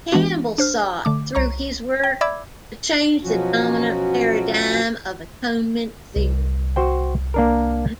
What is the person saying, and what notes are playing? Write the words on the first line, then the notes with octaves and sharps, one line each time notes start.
Campbell sought, through his work, to change the dominant paradigm of atonement theory.
E3 G#3 B3 D4 F#4
D4 C5 F6
D3 A3 D6
C2 C#5 A#5 C#6
G5
D5 E5 B5 D6 E6 G#6
B2 F3 F#3 C#4 F#4
C2
F#4 C5 G5
A#3 D4 A#4